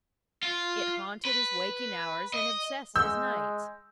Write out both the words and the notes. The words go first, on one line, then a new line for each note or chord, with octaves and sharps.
It haunted his waking hours and obsessed his nights.
F4
B4
D#5
G#3 E6 G6